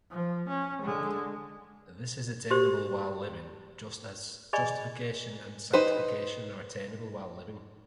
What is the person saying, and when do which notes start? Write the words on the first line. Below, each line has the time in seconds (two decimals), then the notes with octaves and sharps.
This is attainable while living, just as justification and sanctification are attainable while living.
0.10 F3
0.49 C#4
0.82 D3 G#3
2.51 F#4 G4 C5 C6
4.53 G#4 D5 D#5 G#5 B5
5.73 D#4 B4 C5